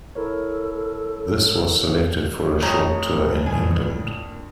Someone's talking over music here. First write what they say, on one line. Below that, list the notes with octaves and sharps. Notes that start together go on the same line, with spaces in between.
This was selected for a short tour in England.
E4 A4 A#4 C#5
F2 A3 C#5 A#5
A2 A#3 D4 G#5